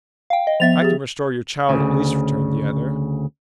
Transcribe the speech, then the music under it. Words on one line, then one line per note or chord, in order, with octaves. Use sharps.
"I can restore your child at least," returned the other.
F5 G5
D#5
F3 B3 E5 A6 F7
G4 G#4
D2 C#3